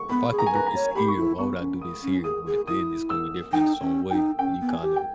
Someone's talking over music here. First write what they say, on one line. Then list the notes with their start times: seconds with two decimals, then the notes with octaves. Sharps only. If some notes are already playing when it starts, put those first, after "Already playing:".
if I could do this here, why would I do this here? But then it's gonna be different in its own way, and you kinda
Already playing: C#6
0.10 B3 B5
0.31 G#4
0.39 A#5
0.46 G#5
0.52 B4 A#5
0.67 A#5
0.75 C#5
0.95 G4 B5
1.08 C#6
1.17 E4 B5
1.38 B3 C#6
1.60 C#4
1.81 D#6
2.03 C#4
2.24 G#4 D#6
2.46 G#4
2.67 E4 D#6
3.10 E6
3.53 D#4 G5
3.81 C#4
4.11 D#4 G5
4.39 C#4 G5
4.60 B3
4.68 G#5
4.82 G4
4.96 G5